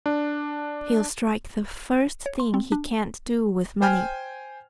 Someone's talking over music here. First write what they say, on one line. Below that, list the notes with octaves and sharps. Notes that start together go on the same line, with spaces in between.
He'll strike the first thing he can't do with money.
D4
C#5
C6
C4
D4
C5 G5 G#5 F6